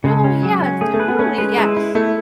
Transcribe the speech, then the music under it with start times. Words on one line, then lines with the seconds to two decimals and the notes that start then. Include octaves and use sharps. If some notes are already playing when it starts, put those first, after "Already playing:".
No, yeah, totally, yes.
0.04 C#3 G#3
0.24 C#4
0.43 F#3
0.62 C#4
0.81 A3 G#4
0.94 A3
1.00 B4
1.08 B3
1.19 A3 C#4
1.38 G#3 B4
1.57 G#3 E4
1.77 E4
1.95 A3 E4